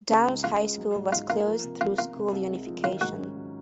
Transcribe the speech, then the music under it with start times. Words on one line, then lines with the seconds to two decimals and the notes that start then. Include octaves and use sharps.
Downs High School was closed through school unification.
0.09 C#3
0.27 C#2
0.44 C#2 F4
0.61 G#3
0.78 F#3
0.95 G#2
1.12 D#4 F4
1.30 A#3 F4
1.47 F3
1.63 C3
1.81 C3 F4
1.98 A#3 F4
2.16 C3
2.32 C2
2.50 G#3
2.67 F3
2.84 D#3 F4
3.01 G#2 F#4
3.19 C#4
3.36 F#3